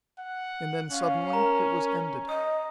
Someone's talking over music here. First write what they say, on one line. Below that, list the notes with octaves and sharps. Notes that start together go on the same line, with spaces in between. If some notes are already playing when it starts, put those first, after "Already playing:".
And then suddenly it was ended.
F#5
C#4 F5
A#4 A#5
D#5 D#6